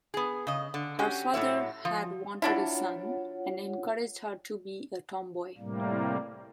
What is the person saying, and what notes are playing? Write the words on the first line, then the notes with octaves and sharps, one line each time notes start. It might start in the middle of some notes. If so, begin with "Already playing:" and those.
Her father had wanted a son, and encouraged her to be a tomboy.
B3 G#4
C#3 D#5
D3
C#4 F#4 G4
A2 F#3 C#5 E5
F3
F#3 D4 E4 F4 C#5 F#5
A2 C3 G3 A#3